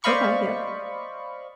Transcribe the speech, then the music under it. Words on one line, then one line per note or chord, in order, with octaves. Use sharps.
Okay, yeah.
C5 D5 D#5 F5 B5 C#6